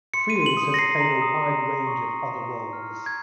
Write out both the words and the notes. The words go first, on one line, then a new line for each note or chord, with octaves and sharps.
Friels has played a wide range of other roles.
C6 C#7
D#7
C6
F#7
D#6
A#6
A#5 C7
A#5
D#6
A#5
A#5
C#6
A#5
A#5
D#6
F6
A#5
G#6